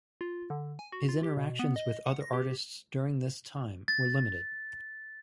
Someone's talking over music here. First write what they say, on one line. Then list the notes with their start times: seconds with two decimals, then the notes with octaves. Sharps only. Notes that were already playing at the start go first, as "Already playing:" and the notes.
His interactions with other artists during this time were limited.
0.21 F4
0.50 D3
0.79 G#5
0.92 F#4
1.09 F4
1.23 G4
1.37 B2
1.59 B3
1.76 D#5
2.06 F#5
2.21 A#6
2.33 G4
3.88 A6